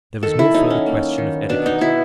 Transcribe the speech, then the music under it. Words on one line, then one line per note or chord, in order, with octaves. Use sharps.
There was no further question of etiquette.
D#3 A4
E4
F#3 D#4
C#4
A#3
D#3
B2 D4
D#4
B2 E4